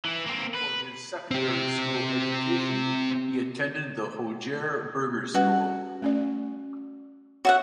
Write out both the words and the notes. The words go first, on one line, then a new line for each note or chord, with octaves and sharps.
For his secondary school education he attended the Hogere Burgerschool.
E3 E4
A#3 C4
B4
C4 G4
G3 C#4 F#4 B4
A3 C#4 D5
F#4 C#5 E5 F#5